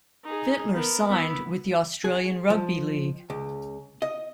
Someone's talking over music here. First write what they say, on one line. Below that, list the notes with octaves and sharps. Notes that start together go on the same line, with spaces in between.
Fittler signed with the Australian Rugby League.
D#4 G#4
B3 A#4
B3 E4
G#4
F3
C#2
D#5